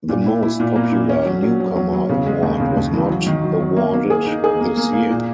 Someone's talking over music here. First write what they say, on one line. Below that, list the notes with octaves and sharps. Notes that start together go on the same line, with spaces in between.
The Most Popular Newcomer award was not awarded this year.
A#2
E4
E4
A#2
A#3
A#2
C#4
F#3
F#3
F#3
F#3
F#3
C#3
G#3
D#2
C#3
D#2
E3
F#3
D#3
F#3
F#3
A#3
A#3
G#4
D#4
G#4
A#3
A#3
A#3
A#2